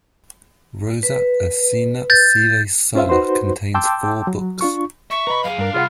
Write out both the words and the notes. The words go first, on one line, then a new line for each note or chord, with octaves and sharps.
"Rosa Ursina sive Sol" contains four books.
B4
G6 A6
C#4 F4 C5 E5 F5
D#4 F#4 B4 C5 C6
G5 A5 C6 D6 E6 G6
F#3
D4 F4 C#6
E5 C#6
B4 D#5 A#5 B5
F#2 G#4 F5
G2 D4 A#4
C2 F4 G#4 C#5 F#5